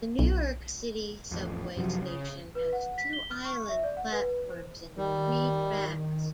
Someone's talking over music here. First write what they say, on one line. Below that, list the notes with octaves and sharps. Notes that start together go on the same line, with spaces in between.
The New York City Subway station has two island platforms and three tracks.
B1
A1 F2
F#2 C3 F3 F#3
C#3
B4
F#5
B6
G7
F6
C#6
E5
D5
F#5
B4
C5
D#3 G3